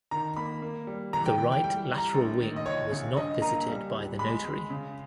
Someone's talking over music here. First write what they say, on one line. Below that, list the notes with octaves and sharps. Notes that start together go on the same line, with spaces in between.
The right lateral wing was not visited by the notary.
D#3 A#5
A#3 B5
A#3
G3
E3 A#5
G5
E3
G5
G3 G5
G3
A#5
A#1
D#3
D#5
C#2 C#5
C#3
G2 D#5
A#3 A#5
G3
C#2
G#3 B5
G#3
C#3